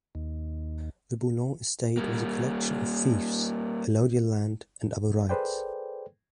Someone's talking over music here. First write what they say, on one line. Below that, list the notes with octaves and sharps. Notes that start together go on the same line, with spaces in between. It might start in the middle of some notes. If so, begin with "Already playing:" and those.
The Bouillon estate was a collection of fiefs, allodial land, and other rights.
D#2
G3 A#3
G#4 A4 B4 C5 D5 G5